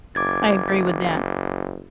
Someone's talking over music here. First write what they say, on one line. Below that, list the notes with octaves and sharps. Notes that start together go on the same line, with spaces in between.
I agree with that.
F#1 D6 G#6 A6